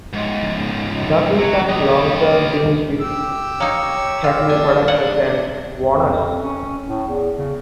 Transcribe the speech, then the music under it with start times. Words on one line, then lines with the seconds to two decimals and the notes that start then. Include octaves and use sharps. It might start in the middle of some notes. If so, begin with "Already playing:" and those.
Douglas signed long-term deals with Cagney Productions and Warners.
0.13 C#2 G#2
1.38 F#3
1.69 G4 D#5
3.01 G4 E6
3.60 A#3 D#4 C#5
4.24 F4
4.49 D4 G#5
4.88 D#3 A#3 F#5
5.87 F2
6.43 C#4
6.86 A2
7.07 E2
7.38 C#3